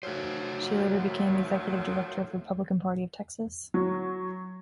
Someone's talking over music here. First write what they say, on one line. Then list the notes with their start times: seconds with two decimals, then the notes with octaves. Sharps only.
She later became executive director of the Republican Party of Texas.
0.03 D#3 F3 F#3 A3 C5
3.74 F#3